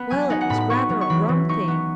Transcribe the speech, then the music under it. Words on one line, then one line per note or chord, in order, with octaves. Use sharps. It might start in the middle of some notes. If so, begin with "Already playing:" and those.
'Well, it was rather a rum thing.
Already playing: B3 F#5 B5
F#3 G#5
D#4 F#5
F#5
A2 B5
B5
B3 C#6
F#3
C#6
E3 B5
E3
D#4 C#6
B3